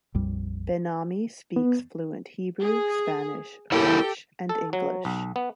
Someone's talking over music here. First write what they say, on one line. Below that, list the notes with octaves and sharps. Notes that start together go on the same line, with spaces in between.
Ben-Ami speaks fluent Hebrew, Spanish, French and English.
A#1 F2 G3
B3
G#4
E4 G4 A4 A#4 C#5 G5
A4
F#3
B1
B3